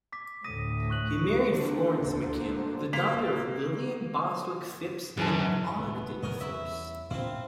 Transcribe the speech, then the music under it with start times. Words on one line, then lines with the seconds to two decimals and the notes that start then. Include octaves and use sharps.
He married Florence McKim, the daughter of Lillian Bostwick Phipps and Ogden Phipps.
0.12 D6 B6
0.44 D2 A2 D#6 A#6 D#7
0.90 C#6 F#6 F#7
1.52 A#3 D4 F#4 A4 C5
2.93 A#3 B6 F7
5.18 F#1 F#2 E3 A5
5.79 A2 C3 D#3 B3
6.23 F2 C#3 F#3 A#4 C#5 D#5
6.41 E2 G3 C#4 E4 E5
7.10 A2 A#3 C4 D4 E4 F4